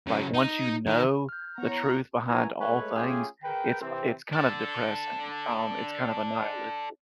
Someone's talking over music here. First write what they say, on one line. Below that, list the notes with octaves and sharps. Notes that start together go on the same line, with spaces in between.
like, once you know the truth behind all things, it's a it's kind of depressing, um, it's kind of a nihilistic
C#3 F#3
D#4
D#3
F6 G6
B3 E4 C#5 A#5
A#3 E4 F#4 B4 G#5 A#5
G#3 A3 B4 C#5
A3 C#4 F4 G4 G#4
G#4 A#4 B4 G5
C3 E3 C4
D4 A4